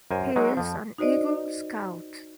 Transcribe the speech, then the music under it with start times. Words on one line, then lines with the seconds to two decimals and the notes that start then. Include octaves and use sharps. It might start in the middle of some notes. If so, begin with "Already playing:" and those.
He is an Eagle Scout.
0.11 F#2 A#4 C5 G#5
0.36 F#3 G#3 D#4
0.57 F2 F3
0.98 D#4 F#4 C5 D5 D#5